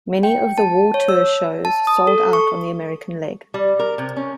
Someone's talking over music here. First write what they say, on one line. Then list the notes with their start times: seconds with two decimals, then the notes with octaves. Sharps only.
Many of the War Tour shows sold out on the American leg.
0.23 G5
0.58 A5
0.94 C#5
1.09 E6
1.65 A5
1.87 D#6
2.07 A4
2.33 C#6
3.54 G3
3.79 A#4
3.98 C3
4.16 C#4